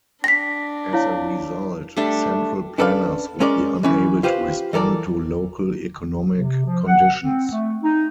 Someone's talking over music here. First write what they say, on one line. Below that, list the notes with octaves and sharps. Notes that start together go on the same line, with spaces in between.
As a result, central planners would be unable to respond to local economic conditions.
D4 G5 A#6 B6
E4 C#5 F5
G3 A3 D4
C#4 D4 A4 B4 D5 F5
G#3 C#4 A#4 C#5 D5
E3 C#4 E4
F4 G4 B4 C5 F5
E3 A4 A#4 D5
C3
F3
F#5
C4
A3
D#4